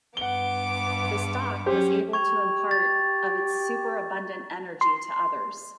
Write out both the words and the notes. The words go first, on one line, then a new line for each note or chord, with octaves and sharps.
The stock was able to impart of its superabundant energy to others.
G2 B3 F#5 D6 G7
F#3 C#4 G4 C5
G4 C#6 G#6 F7
A6
C6